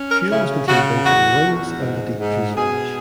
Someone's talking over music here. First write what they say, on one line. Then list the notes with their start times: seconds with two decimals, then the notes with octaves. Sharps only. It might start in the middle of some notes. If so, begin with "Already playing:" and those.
Fuel was contained both in the wings and the deep fuselage.
Already playing: C#4
0.11 A#4
0.30 C#3 E4
0.67 C#3 F#4
1.05 E2 F#4
1.43 E2
1.80 G#2
2.18 G#2
2.56 B2 G#4